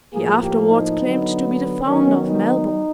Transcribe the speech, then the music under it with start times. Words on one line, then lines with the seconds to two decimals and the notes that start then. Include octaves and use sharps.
He afterwards claimed to be the founder of Melbourne.
0.13 A2 F3 A#3 G#4
0.41 G4
0.70 D#4
0.98 D3 F#3 B3
1.84 D#3 F#3 B3 C#4
2.27 D#4